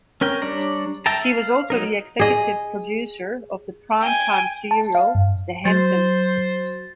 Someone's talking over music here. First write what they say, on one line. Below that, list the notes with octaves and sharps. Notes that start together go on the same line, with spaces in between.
She was also the executive producer of the primetime serial "The Hamptons".
C#4 A#4 G5
G3 D4 C#5 D5 A#5
E5 G5 A5 A#5
F5
F#3 D#4 A#4
G#4 D#5
G5 G#5
A5
F5
G2
F#3 C5 A6